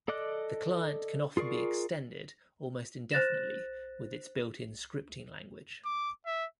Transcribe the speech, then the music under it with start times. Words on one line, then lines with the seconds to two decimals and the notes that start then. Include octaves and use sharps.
The client can often be extended almost indefinitely with its built-in scripting language.
0.08 A4 D5 D#5 D6 F#6
1.37 F4 G#4 A#4 D5 C#6
3.11 C5 F#6 A6 A#6 E7
5.85 D6
6.26 E5